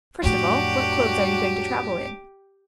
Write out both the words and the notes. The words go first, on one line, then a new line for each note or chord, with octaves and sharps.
"First of all, what clothes are you going to travel in?"
F2 A2 F#3 D4 F#4 G4